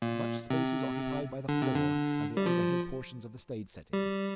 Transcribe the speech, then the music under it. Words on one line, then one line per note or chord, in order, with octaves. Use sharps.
Much space is occupied by the floor and the overhead portions of the stage setting.
A#2
C3
D3
C3
D3
G3
F3
G3